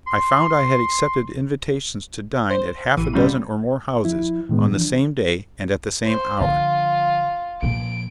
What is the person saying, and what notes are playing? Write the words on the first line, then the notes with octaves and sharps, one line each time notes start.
I found I had accepted invitations to dine at half a dozen or more houses on the same day and at the same hour.
C6
C5
A1 E3 D#7
F#2 C#3 G3
F3 E4
A2 D#3 G#3 B3
E3 F3 D4
C5
D3 F3 F4
A#2 F3 D7